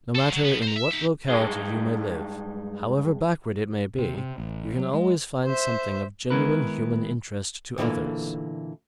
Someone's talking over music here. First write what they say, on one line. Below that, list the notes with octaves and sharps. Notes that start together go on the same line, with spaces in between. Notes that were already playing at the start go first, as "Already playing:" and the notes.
No matter in what locality you may live, however backward it may be, you can always find something of genuine human interest to others.
A4 C5
F3 F#3
B2 B3
C5 A#5
E5
D#4 E5
G2 G#3
C3
C3
A1
F#3
G#3
C5 E5
D#3 G#3 B3 E4 A#4 B4
A#2 D3 E3 F3 A3 A#3